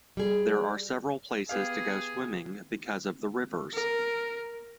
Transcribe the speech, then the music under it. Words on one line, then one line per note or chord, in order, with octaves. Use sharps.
There are several places to go swimming because of the rivers.
G3 G#4
B3 G4 G#4 F5
A#4